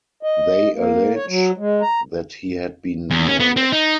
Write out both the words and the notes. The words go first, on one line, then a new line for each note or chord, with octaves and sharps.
They allege that he had been murdered.
D#5
A#3
C#5
F#3
G#3
A#5
E2
C#4
B3
C4
D#4